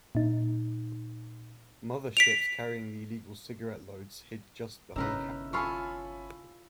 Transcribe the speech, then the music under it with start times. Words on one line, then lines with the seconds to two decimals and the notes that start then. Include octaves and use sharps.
Mother ships carrying the illegal cigarette loads hid just behind Capri.
0.15 A#2 D#4
2.17 B6 D7 F7
4.96 G1 C3 C#4 D#4 E4 A#4 B4 E6
5.53 F4 A4 F5 G#5 B5 C#6